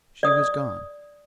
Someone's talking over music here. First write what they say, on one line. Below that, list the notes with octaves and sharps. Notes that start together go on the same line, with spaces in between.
She was gone.
D5 D#6